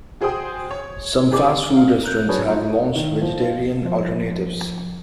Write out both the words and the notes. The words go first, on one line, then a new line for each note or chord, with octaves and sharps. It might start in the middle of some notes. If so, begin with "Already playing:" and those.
Some fast food restaurants have launched vegetarian alternatives.
F#4 G#4 C5 G5 D#6
C#5
G4 G#4 B4 D5 D6
F5
A#4 F#6 G6
F#3 D4 G#4 B4 C#5
D#4 F4
D#3
F3
F4
F3